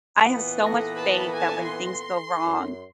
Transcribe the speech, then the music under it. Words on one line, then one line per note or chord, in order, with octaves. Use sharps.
I have so much faith that when things go wrong,
A#2 E3 B3
A4 A#6
A#4 A5 B5
G#5 A5
C6
F#2